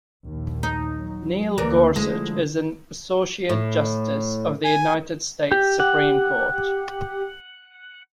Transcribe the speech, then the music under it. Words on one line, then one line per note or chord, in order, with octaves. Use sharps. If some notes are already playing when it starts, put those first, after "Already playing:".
Neil Gorsuch is an Associate Justice of the United States Supreme Court.
A#1 D#2
D#4
F#3
D2 E3 A#3 A#4 D5
D3 F3 G#3 A3 E4
A2
G#5
G4
G4 F#5